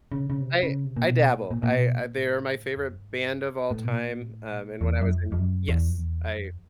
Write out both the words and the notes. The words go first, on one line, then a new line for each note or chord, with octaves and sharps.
I I dabble. I I they're my favorite band of all time. Um, and when I was in yes, I
C#3
C#3
C3
C#3
C3
A#2
B2
A#2
A#2
A#2
B2
A#2
A2
E2
F2
F#2
G2
G#2
G2
A2
B2
A#2
A2
A#2
E2
F#2
F2
F2
F#2
E2
F2
E2
F2
F#2
F2